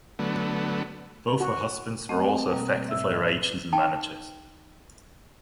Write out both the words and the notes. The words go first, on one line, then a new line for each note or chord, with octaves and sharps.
Both her husbands were also effectively her agents and managers.
D3 F#3 A3 B3
F#4
A3 C4 D#5 F#5
B2 G3 A#3
G#2 E5 E6
D#4 G5 A5